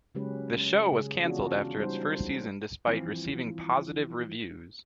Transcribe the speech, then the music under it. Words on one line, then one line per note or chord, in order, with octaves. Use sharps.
The show was cancelled after its first season despite receiving positive reviews.
C#3 F#3 G#3 C#4 G4 B4
C#3 G#4
E3 B3 C#4 D4 F4 F#4
G3 D#4 C5
G2 E3 F3 C4